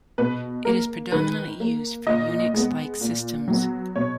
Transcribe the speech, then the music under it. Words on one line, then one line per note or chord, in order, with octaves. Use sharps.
It is predominantly used for Unix-like systems.
B2 B4
A#3 A#4
D#3 B4
A#3
A#2 D#5
G#3 B3
A#2
F#3 B3
B2 C#5